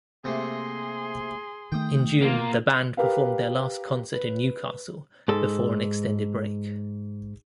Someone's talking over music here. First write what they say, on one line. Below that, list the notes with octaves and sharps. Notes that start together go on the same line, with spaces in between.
In June the band performed their last concert in Newcastle before an extended break.
C3 A3 A#3 G#4 C6
D#3 A3 G5 D#6
A#3 F4
G4 A#4 B4 F5
B4
G#2 A4